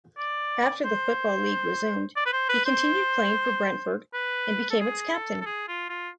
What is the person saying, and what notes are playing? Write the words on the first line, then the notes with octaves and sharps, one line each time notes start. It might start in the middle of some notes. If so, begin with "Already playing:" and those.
After the Football League resumed, he continued playing for Brentford, and became its captain.
D5
C5
D5
B4
C5
B4
C5
B4
A4
G#4
A4
A4
G#4
F4
F4